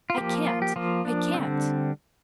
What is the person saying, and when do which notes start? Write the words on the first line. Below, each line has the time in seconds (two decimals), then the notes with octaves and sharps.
"I can't--I can't!"
0.10 F4
0.18 F3 A#3 G4
0.47 F4
0.62 G4
0.76 F3 A#3 F4
1.05 D4
1.34 D3 G3 C4